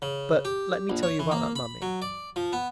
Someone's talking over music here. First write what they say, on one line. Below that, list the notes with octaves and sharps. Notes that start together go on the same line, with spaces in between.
But let me tell you about that mummy.
C#3
G4
A#1
C#5
E3
A#3
B5
F#3
D5
F3
B3